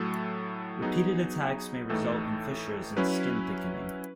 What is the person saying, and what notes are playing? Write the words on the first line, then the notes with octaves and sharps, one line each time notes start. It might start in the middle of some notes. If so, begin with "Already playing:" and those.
Repeated attacks may result in fissures and skin thickening.
Already playing: A2 F#3 A3 A4
F#3 B3 D#4 G#4
A2 E3 A3 D#4 A4
F#3 C#4 E4 B4